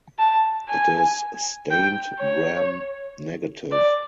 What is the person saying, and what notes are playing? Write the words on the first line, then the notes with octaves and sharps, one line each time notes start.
It is stained gram-negative.
A5
G#5
G5
C#5
D5